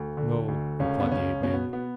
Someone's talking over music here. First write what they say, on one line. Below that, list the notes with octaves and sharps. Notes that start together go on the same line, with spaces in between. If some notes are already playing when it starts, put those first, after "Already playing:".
"No," replied the ape-man.
Already playing: D2
D3
D2
C#2 C#4
B3
C#2 C#4
B2 C#4
B3
B3